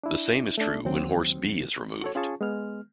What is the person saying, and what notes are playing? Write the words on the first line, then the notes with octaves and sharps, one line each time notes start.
The same is true when horse B is removed.
D4 E4
A3 D4
D#2 F#3 C4
F#4 A4 C#5
C#4 F4 G#4 A5 C#6
G#3 B3 F6